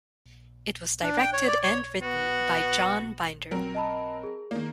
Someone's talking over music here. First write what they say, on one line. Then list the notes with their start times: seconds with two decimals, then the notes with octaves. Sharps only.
It was directed and written by John Binder.
1.03 D4
1.18 G5
1.33 C#5
1.48 D5
1.63 C#5
2.02 B3 F#4
3.51 F#3 C4 A#4
3.75 D#5 A5 B5
4.23 G#4
4.51 D#3 A#3